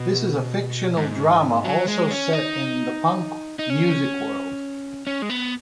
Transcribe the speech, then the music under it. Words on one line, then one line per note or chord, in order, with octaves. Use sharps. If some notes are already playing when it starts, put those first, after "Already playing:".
This is a fictional drama also set in the punk music world.
Already playing: B2
G#2
F#3
G#3
C#4
D#4
D#4
C#4
C#4
G#3
B3